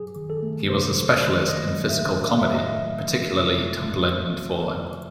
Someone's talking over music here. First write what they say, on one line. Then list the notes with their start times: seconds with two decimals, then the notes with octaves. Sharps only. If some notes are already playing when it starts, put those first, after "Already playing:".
He was a specialist in physical comedy; particularly tumbling and falling.
Already playing: F#3 G#4
0.16 D#3
0.30 A4
0.42 A3
0.69 C3 C5
0.96 F#3
1.09 D5
1.23 D#3
1.49 A3 D#5
1.76 F#3
1.89 E5
2.02 A2
2.29 A2 F5
2.41 E5
2.52 A3 D#5
2.64 E5
2.82 F#3
3.09 F3
3.36 C3
3.62 A3
3.89 F2
4.16 F3